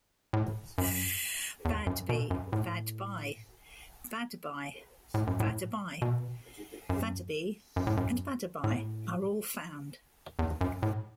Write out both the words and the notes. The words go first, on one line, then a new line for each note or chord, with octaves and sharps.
Badby, Badbye, Baddebi, Baddeby, Badebi and Badeby are all found.
A2
F#2
E2
F#2
B2
F#2
A2
A2
F#2
A2
B2
F#2
F#2
A2
F#2
A2
E2
F#2
A2